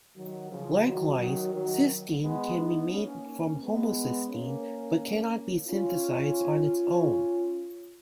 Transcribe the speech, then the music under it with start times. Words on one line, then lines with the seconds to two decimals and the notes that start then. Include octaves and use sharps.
Likewise, cysteine can be made from homocysteine but cannot be synthesized on its own.
0.16 D#3 F#3
0.50 C#3 F3
0.85 D#3 F#3
1.19 D#3 F#3
1.53 D#3 F#3
2.22 G#3 B3
2.57 B3 D#4
2.92 A#3 C#4
3.61 G#3 B3
4.29 A#3 C#4
5.68 C#4 F4